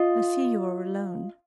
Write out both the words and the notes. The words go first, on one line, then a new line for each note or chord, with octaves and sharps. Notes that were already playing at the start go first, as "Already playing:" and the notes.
I see you are alone.
Already playing: F4 D#5